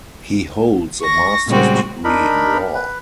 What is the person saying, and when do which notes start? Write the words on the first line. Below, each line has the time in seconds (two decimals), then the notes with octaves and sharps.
He holds a master's degree in law.
1.00 C#6 A#6
1.46 A#2 C#3 G3 G#3 C4 F#4
2.04 D4 D#4 A#4 B5
2.75 B4